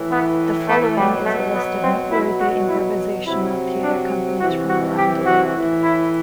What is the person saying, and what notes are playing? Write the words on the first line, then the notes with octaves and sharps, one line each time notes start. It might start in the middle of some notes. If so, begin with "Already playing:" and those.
The following is a list of noteworthy improvisational theatre companies from around the world.
Already playing: A2 E3
B3
A3
B2 F#3 G3
A3
B3
C4
B2 F#3 E4
F#4
E4
C3 F#3 E4
D4
C3 E3 F#4
F#4
G4
F#4
A2 E3
E4